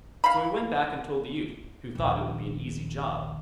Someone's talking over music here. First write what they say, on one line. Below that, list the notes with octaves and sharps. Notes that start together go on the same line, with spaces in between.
So he went back and told the youth, who thought it would be an easy job.
F5 B5
A#1 D#2